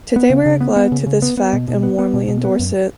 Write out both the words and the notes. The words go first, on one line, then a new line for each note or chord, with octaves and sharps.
Today we are glad to this fact and warmly endorse it.
B3
C#3
C#3
B3
B3
C#3
C#3
B3
B3
B2
B2
B3
B3
B2
B2
B3
F#2